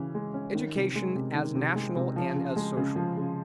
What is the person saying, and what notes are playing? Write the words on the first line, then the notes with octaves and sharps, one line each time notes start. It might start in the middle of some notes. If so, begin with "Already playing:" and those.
Education as National and as Social.
Already playing: C#3 E3 C#4
G#3
C#4
D#3
C3
G#3
C3
D#3
C3
G#3
C3
F3
C#3
G#3
C#3
F3
C#3